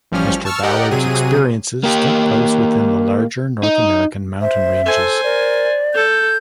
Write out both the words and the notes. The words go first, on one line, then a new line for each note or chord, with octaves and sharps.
Mr. Ballard's experiences take place within the larger North American mountain ranges.
A1 F3 G3 C#4 F6
A5 C#6 E6 F6
G4 A#4 D5 D#5 F#5 G5
C3 F#3 G#4 D#7
A#3 G4
D#4
C5 E5
A4 C5 G#5
A#4 D5
A4 G6